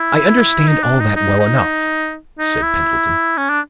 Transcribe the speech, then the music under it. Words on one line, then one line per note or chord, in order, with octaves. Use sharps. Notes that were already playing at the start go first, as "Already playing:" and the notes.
"I understand all that well enough," said Pendleton.
Already playing: E4
D#4
D4
D#4
D#4
D#4
D#4
E4
C#4
D4